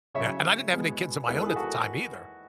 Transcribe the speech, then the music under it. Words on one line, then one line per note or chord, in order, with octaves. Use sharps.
Yeah, and I didn't have any kids of my own at the time either,
C#3 F#3 C#4 C#5 E5
B2 G#3 B3
E2 D#3 G#3 B3 D#4 B4
A4
G#4
F#4 A4